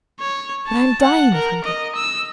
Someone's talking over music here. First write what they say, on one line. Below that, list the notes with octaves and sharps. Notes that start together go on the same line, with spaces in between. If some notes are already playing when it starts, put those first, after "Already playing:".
But I am dying of hunger.
C#5
A5
F#5
A#4
D#5
E6